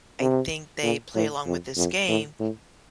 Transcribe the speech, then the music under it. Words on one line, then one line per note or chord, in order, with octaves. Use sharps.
I think they play along with this game
C3
A#2
A2
F2
F2
A2
A2